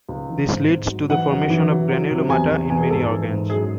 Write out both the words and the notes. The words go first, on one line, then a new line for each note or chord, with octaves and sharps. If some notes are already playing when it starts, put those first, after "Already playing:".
This leads to the formation of granulomata in many organs.
C#2
E3
G#2
G#2
F#3
E3 F#5
F#2
E3
F#3
F#3
C3
E2 G#5
E2
E2 G#5
G#4
G#2 A4
E3
G#2
F#2 G#4